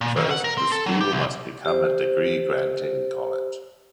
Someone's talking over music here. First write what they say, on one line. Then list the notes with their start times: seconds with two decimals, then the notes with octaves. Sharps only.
First, the school must become a degree-granting college.
0.01 A#2
0.16 D#3
0.31 F#5
0.44 A#4
0.58 C4
0.72 A4
0.86 F#3
1.01 G4
1.12 C2
1.65 G4 C5